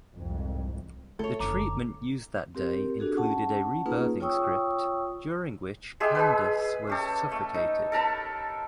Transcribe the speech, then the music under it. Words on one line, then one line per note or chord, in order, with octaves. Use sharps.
The treatment used that day included a rebirthing script, during which Candace was suffocated.
C2 F2 G#2
A3 F4 A4 C#5
F#1 D3 A#5 D6
C4 G4 A#4
D4 F#4 G#4 A4
C#4 F#5 A5
A#3 C#4 D#4 F4 G#4 B4
F4 C#5 G5 C#6 D#6 E6
G#3 G4 G#4 E5
G#4 B4
C#4 G4 A4
A3
D#4
A4 A#4 A5 B5